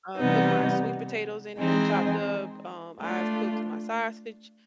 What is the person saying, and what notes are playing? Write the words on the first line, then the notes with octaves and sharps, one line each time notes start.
uh, cook my sweet potatoes in there, chopped up, um, I've cooked my sausage,
C3 E3 G3 B3 D#4
E3 G#3 C4 D#4 G#4
A3 D4 F4